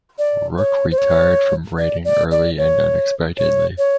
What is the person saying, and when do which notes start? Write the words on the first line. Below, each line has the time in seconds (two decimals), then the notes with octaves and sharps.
Rook retired from writing early and unexpectedly.
0.19 D5
0.58 C#5
0.91 C5
0.98 C#5
1.78 D5
2.05 D5
2.31 D5
2.58 C#5
3.38 C#5
3.78 C#5